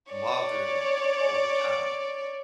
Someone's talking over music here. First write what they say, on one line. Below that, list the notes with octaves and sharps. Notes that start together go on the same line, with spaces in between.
bothering us all the time
C#5 D5